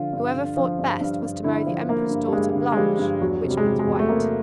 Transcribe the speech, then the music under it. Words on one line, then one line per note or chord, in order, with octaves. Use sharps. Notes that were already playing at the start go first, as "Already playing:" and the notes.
Whoever fought best was to marry the Emperor's daughter Blanche, which means white.
Already playing: D3 F3 F4
G2
D3
F3
G2
G2
G2
D3 E4
F3
D3 A#3
G2
G3
G2 G#3
D3
G#3
F3 G3
G2
E2 F#3
C3
G3
G#3
C3 G3
G#3
E2
A3
C3 A#3